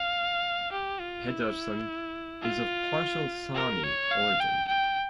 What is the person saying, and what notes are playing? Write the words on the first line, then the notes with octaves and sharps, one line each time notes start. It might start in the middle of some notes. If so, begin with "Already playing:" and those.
Pedersen is of partial Sami origin.
Already playing: F5
G4
F4
E4
F4
A#4
C#5
F5
G5
G5